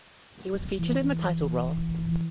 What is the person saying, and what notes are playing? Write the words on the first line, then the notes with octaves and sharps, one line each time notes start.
He was featured in the title role.
E3